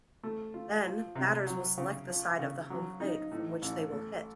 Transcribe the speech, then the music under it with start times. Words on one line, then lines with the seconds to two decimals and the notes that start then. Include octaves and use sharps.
Then, batters will select the side of home plate from which they will hit.
0.24 A3
0.54 F4
0.85 F3
1.15 C3
1.47 F#3
1.78 C#3
2.08 F3
2.39 C#3
2.70 F#3
3.00 D#4
3.31 A2
3.62 A1
3.93 A3